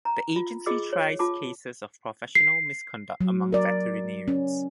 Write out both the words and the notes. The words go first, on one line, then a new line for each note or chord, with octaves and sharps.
The agency tries cases of professional misconduct among veterinarians.
A#5
F4
F4 G#4 D#5 D6 E6
C#5
F4 A5 D6
C7
F#3
A#4 D5
C#4